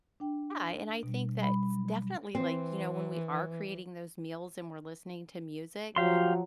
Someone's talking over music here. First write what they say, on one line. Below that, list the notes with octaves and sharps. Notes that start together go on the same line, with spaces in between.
Yeah, and I think that s definitely, like, you know, when we are creating those meals and we're listening to music,
D4 G5
B2 G3
G3 B5
F#3
E3 C4
F3 F#3 G4 F5 C6